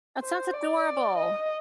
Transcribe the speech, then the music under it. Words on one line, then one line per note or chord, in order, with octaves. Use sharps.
That sounds adorable.
C5
D5
D#5